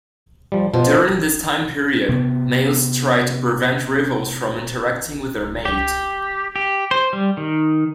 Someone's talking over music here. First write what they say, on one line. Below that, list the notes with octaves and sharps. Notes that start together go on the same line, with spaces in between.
During this time period, males try to prevent rivals from interacting with their mate.
F3 G3
B2 F3
C3 B3
G4
G4
C5
G3
D#3